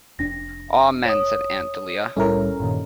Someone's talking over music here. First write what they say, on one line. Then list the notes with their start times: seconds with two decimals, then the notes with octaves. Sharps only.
"Amen," said Aunt Dahlia.
0.19 F1 D4 A#6
1.05 C#5 D#6
2.17 C2 A2 G3 C#4 E4 A4 A#4
2.60 G2 A#2 D#3